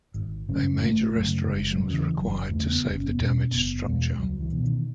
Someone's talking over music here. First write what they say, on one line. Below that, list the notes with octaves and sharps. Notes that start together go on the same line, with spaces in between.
A major restoration was required to save the damaged structure.
G#1
F#2 C#3
G#1 A3
F#2 C#3
F#1 G#3
F#3
E2 C#3
E3
F#1 F#3
E2 C#3 A3
B3
F#1
C#4
B3
E2 B2 C#4
F#1 B3
E2 B2 G#3
C#2 F#3
E3
B2
D#3